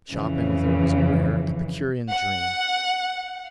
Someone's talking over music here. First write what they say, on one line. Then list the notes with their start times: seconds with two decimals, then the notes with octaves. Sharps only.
Shopping with her was a rare, epicurean dream.
0.10 F2 C#3 E3
2.11 F#5